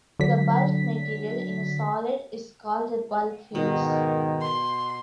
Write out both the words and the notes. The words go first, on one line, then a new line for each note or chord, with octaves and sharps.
The bulk material in a solid is called the Bulk phase.
D3 F#3 B6
G#2 B2 D#3
C6